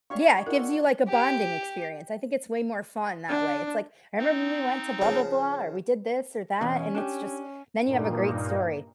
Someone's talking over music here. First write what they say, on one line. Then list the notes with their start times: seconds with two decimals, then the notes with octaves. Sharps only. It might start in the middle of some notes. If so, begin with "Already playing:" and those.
Yeah, it gives you, like, a bonding experience. I think it's way more fun that way. It's, like, "I remember when we went to blah blah blah, or we did this, or that, and it's just" and then you have a great story.
0.10 D4 G4 C#5 D5 F5 C#6
0.47 D#4 F4 A4 A#4 F#5
1.09 G4
3.29 D4
4.18 C4 D#4
5.02 C#3 F3
6.61 E2 B2 C#4
6.95 D4 G4
7.85 G2 A#2 A#3 D#4